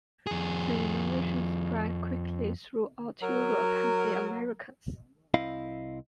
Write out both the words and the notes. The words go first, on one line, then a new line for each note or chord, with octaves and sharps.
The innovation spread quickly throughout Europe and the Americas.
F2 G#4
F#3 A#4
C2 C4 E4 D#5 F5